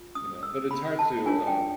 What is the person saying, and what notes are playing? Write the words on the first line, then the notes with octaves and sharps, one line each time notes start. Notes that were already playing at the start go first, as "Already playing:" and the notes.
you know, but it's hard to, um,
Already playing: F4
D#6
E6
B5
A5
D4 F4 A#4 C#5 G#5
G5